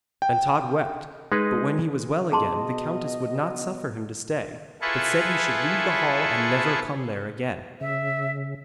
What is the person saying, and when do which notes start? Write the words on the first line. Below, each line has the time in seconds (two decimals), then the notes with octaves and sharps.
And Tod wept, but when he was well again the countess would not suffer him to stay, but said he should leave the hall and never come there again.
0.22 G5
1.32 G#3 D#4 G#4 B4
2.32 B2 G#4 D#5 A5 C6
4.81 E4 F4 G#4 A4 B4 C#6
7.81 C#3 E5